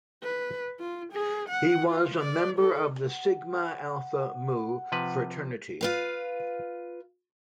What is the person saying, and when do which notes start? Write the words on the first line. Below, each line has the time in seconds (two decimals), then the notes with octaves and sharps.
He was a member of the Sigma Alpha Mu fraternity.
0.23 B4
0.79 F4
1.13 G#4
1.49 F#5
1.89 F4
2.20 D5
2.59 A4
3.09 F#5
4.92 C3 F3 B4
5.81 F4 B4 F5